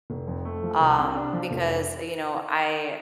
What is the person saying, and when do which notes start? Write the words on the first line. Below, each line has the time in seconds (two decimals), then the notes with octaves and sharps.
um, because, uh, you know, I
0.10 F1
0.28 F2
0.45 A3
0.63 F3
0.80 C2
0.98 C3
1.16 D4
1.33 F3
1.51 F1